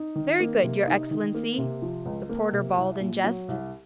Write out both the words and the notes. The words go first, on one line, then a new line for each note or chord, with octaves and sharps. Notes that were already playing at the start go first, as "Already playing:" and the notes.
"Very good, your Excellency!" the porter bawled in jest.
Already playing: D#4
D#3
A#3
C3
D#4
D#3
A#3
C3
F3
C#2
A#3
C3
C2
A#2
F#3
C2